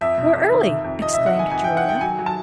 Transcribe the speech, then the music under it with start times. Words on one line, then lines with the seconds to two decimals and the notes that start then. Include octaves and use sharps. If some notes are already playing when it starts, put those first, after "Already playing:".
"We're early!" exclaimed Julia.
0.01 F2 E5
0.18 C3
0.35 F2
0.52 D#3
0.69 C3
0.84 F2
1.02 F2 D#5
1.13 E5
1.18 C3
1.26 F#5
1.35 D#3 G#5
1.51 F2 G#5
1.64 G5
1.69 F2
1.77 F#5
1.84 D#3 G5
2.01 F#3 G#5
2.19 F#3
2.26 A5